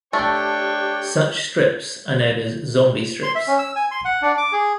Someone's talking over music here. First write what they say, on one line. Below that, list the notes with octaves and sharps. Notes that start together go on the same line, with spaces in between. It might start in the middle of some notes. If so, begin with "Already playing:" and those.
Such strips are known as "zombie strips".
A3 D4 G4 C#5 G5 C#6
C6
E5
C#4
E6
G#5
C6
F#5
D4
D6
G#4